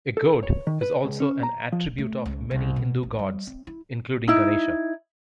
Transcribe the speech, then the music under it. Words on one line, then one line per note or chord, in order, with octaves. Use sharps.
A goad is also an attribute of many Hindu gods, including Ganesha.
A4
C#5
D#3
B4
C#2
C#4
A#5
F3
A3
C#2
C2
B2
A1
G3
C4
E4
D#4 E4